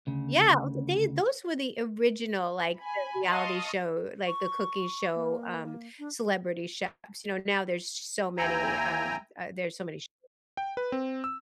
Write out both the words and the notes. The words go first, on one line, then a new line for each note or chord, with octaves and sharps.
Yeah, I was like they those were the original, like, the reality show like, the cooking show, um, Celebrity Chefs. You know, now there's so many, um, uh there's so many shows that
D2 C#3
G#5 B5
D#5 F5 A5 C6 C#6 D#6
C#6
A#3
D4
D#2 E4 G5 G#5 A#5
G5
B4
C4
E6